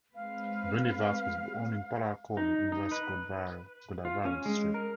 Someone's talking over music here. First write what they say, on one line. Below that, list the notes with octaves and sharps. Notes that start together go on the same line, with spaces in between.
Bunny Vas was born in Palakollu in West Godavari district.
G#3 C4 B4 F5
D#4
D#4
B4
F4
C#4
G#3
A#4